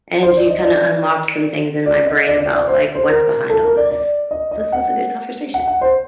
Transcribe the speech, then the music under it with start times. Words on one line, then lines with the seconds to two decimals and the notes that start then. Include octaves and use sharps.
and you kinda unlocked some things in my brain about, like, what's behind all this. So this was a good conversation.
0.23 C5
0.36 D5
0.50 D#5
0.63 D5
1.86 D5
2.07 D#5
2.27 D5
2.40 D5
2.54 D5
2.68 C5
2.95 C5
3.09 A#4
3.49 A4
3.63 A#4
3.77 D5
3.91 D5
4.31 D#5
4.51 D#5
4.72 F#5
5.54 F#5
5.68 F#5
5.81 C5